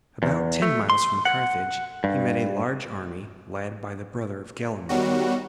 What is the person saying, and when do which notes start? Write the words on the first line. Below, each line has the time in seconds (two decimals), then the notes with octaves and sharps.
About ten miles from Carthage he met a large army led by the brother of Gelimer.
0.23 E2
0.62 A3
0.90 C6
1.25 F#5
2.04 G2
4.89 D#3 G3 B3 F#4 C#5 F#5